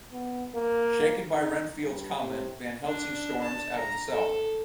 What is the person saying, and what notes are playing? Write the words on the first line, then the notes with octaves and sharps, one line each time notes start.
Shaken by Renfield's comment, Van Helsing storms out of the cell.
B3
A#3
D#4
G2
C3
D4
A5
A#5
A4